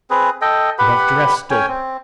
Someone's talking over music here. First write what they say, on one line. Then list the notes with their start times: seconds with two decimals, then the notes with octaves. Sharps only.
You have dressed up.
0.10 C4 G#4 B4
0.42 A4 D#5 G5
0.78 G4 B4 F#5 B5
1.50 C#4 C#5 G5 G#5
1.68 C4